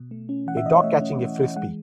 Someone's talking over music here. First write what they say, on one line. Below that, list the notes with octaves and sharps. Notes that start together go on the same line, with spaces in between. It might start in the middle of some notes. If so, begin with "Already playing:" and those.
A dog catching a Frisbee.
Already playing: B2
A3
C#4
E3 F#5
E5
E3 D#5
C#5
A3 E5
C#4
E3
E3
G#3 F#5